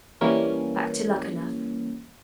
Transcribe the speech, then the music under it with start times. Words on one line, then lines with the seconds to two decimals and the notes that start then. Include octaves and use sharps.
"Back to Luckenough."
0.21 E3 G3 A#3 C#4